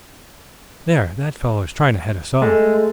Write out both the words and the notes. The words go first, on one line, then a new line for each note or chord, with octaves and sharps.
"There, that fellow is trying to head us off."
G#3 A3